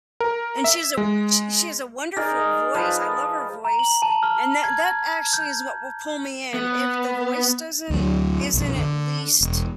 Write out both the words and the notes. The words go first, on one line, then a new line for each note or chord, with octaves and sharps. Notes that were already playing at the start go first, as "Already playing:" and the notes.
and she has a w she she has a wonderful voice, I love her voice, and that that actually is what will pull me in. If the voice doesn't isn't at least
A#4
E5
G#3
D#4 G#4 A#4 D5
F3 B4
A#5
F#7
A5
F6
G#6
G6
B3
D2 F#3
B1 F2
D3
E1